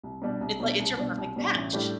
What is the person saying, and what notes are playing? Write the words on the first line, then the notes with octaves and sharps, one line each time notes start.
It's like it's your perfect match!
C2
B2 G3 D4
C2
B2 G3 D4
C2
B2 G3 D4
C2
B2 G3 D4
A1
A2 G3 D4 G4